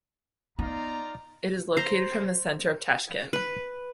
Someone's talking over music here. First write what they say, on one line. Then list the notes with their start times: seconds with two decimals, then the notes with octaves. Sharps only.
It is located from the center of Tashkent.
0.59 B3 D#4 F4 D5 F5 A#5
1.77 C5 A#5
3.33 B4